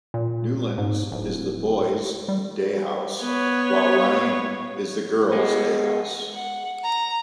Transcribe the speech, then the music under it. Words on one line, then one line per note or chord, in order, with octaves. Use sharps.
Newlands is the boys' day house, while Laing is the girls' day house.
A#2
G#2
D1
G3
B3 C#5
G#3 B3
F#5
A#5